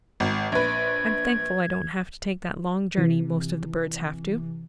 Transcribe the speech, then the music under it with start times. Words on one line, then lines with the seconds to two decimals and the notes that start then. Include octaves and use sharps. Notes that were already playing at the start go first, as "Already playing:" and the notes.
I'm thankful I don't have to take that long journey most of the birds have to.
0.20 G#1
0.52 A#1 B4 G#6
2.98 C3 E3